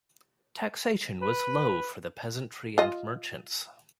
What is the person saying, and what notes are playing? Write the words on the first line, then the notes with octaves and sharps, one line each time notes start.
Taxation was low for the peasantry and merchants.
B4
F4 D#5